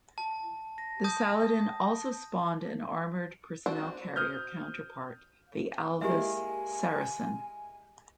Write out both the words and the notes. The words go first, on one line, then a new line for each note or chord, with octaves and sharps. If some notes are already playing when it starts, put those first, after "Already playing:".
The Saladin also spawned an armoured personnel carrier counterpart, the Alvis Saracen.
A5
A#6
A5 D#6 G6
C4 D4 F#4
D#6 F6 G6
G#3 A#3 E4 G4 E5 G#5